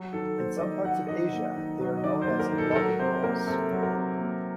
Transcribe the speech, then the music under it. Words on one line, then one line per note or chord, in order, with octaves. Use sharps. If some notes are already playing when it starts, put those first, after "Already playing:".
In some parts of Asia they are known as "laugen rolls".
Already playing: F#3
D#3 A4
A#3 C5
D5
D#3 D#5
F#3 F#5
D#3 D#5
A#3
D#3
F#3
D#5
D#3 D5
C5
A#3
A#4
D#3
A4
A4
F#3 A#4
C3 C5
A#3 A#4
C3 A4
F#3
A#4
C3
A#3